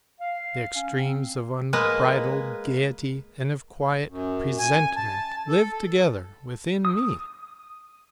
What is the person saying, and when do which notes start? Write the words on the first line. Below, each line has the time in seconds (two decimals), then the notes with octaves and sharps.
The extremes of unbridled gayety and of quiet presentiment live together within me.
0.20 F5
0.75 C#4
0.97 C4
1.73 G#3 A#3 B4 D#5
4.10 F#2
4.59 G#5
4.96 A5
5.48 A4
6.85 D#6